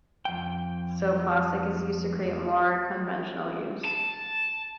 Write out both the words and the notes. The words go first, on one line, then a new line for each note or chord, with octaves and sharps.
So, plastic is used to create more conventional use.
F2 G5
A5